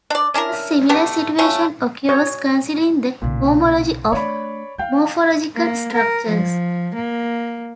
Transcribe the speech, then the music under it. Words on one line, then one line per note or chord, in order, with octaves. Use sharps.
A similar situation occurs considering the homology of morphological structures.
D4 D5
C#4 D4 E4 A#4
A3 B3 D4 G4
A3 C#4 F4
C#5
B1 A#2 C#3
A3 D4 C#5 D5 B5
E3 D#4 F5 G5 G6
A#3
A#4
F3
A#3